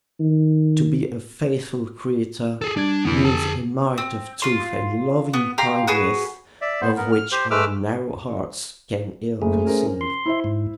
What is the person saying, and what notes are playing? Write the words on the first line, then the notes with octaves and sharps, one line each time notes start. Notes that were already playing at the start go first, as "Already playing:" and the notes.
To be a faithful creator needs a might of truth and loving-kindness of which our narrow hearts can ill conceive.
D#3
G#4 A4
G3 D4 G#6
F2 D3 B3 E4
G#4 A5
C4
F4 C6
B3
G4 F5 A#5 C6
F#4 G#4 B4
D5 E5
B3 C5
B3 A#4
F6
G4 C5
G#3 A3 B4 D6 E6 F6
F#1 A3 G#4
C#4 A#4 C5
C6
E4 C5 E5
G#2